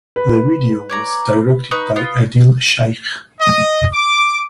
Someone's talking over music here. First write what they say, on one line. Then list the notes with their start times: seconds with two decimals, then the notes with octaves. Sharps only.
The video was directed by Adil Shaikh.
0.16 B4
0.90 C#5 D5 A#5
1.71 D#4 B4 C#6
1.96 B3 F4
3.40 D#5
3.93 D6